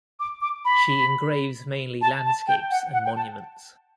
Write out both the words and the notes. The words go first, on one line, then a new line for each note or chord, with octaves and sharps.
She engraves mainly landscapes and monuments.
D6
D6
B5
A5
A5
G5
F#5
F#5
G5
A5